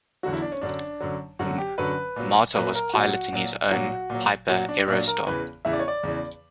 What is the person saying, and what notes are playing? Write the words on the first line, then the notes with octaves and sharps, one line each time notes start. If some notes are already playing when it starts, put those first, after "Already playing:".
Mata was piloting his own Piper Aerostar.
E2 D3 F#3 F#4
E4
D4
C#4
F#2 D3 F#3 D4
F#2 D3 F#3
F#2 D3 F#3 F#4
G4
F#2 D3 F#3 B4
A#2 F#3
A#2 F#3 B4
A#4
A#2 F#3 F#4
A#2 F#3
A#2 F#3 F#4
A#2 F#3
A#2 F#3 F#4
D4
A#2 F#3 D4
A#4
E2 C#3 E3 B4
E2 C#3 E3 E5
D5
C#5
D5
E2 C#3 E3